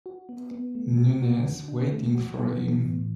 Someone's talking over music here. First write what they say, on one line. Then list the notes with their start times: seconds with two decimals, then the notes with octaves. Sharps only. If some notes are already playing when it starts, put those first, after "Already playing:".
Nunez waiting for him.
0.06 F#4
0.29 B3
0.51 B3
0.75 A3
0.98 F#4
1.22 F#4
1.45 D3
1.68 D4
1.92 A3
2.15 F#4
2.38 B3
2.61 E3
2.85 A2